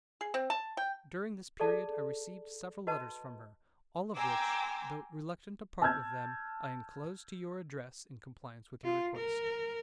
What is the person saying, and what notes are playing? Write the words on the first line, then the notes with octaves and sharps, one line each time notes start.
During this period I received several letters from her, all of which, though reluctant to part with them, I enclose to your address in compliance with your request.
G#4
C4
A5
G5
G#4 A4 D5 A5
F#4 B4 D#5 A5
G5 G#5 A#5 C6 D6 E6
A5 E6 F6 G6 G#6
F4
A#4